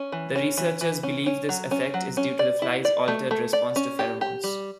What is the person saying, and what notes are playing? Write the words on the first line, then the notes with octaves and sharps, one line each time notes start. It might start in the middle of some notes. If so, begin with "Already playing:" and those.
The researchers believe this effect is due to the flies' altered response to pheromones.
Already playing: C#4
E3
C#4
E3
E3
C#4
C#4
F#3
C#4
F#3
C#4
D5
E4
D5
A3
A3
D5
C#4
G4
G4
G3